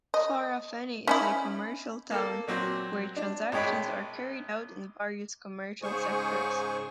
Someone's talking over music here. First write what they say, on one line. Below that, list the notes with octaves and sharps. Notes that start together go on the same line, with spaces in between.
Farafenni is a commercial town, were transactions are carried out in various commercial sectors.
D#5
C#4 D#4 E4
A#3 A4
A#2 F#3 C4
D4
A#1 G#3 C#5 G5 B5
G#2 C#3 G#4 C5 G#5 C#6